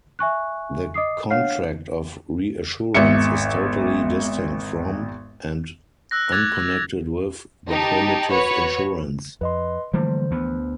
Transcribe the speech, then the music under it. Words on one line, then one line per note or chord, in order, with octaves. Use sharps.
The contract of reassurance is totally distinct from, and unconnected with, the primitive insurance.
E5 G#5 C#6 F#6
D#5 D6 D#6 C7
D4 C#5 F5 F#5 F6 C7
G#1 E2 E5 C#7
E6 F#6 A#6
D6 E6 F#6 G#6 A6 F7
D#4 G4 A5
F#4 B4 C#5 C#6
F2 B4 D#5 C6
D3 E3 F3 G3 A3 A#3 C5
D2 B3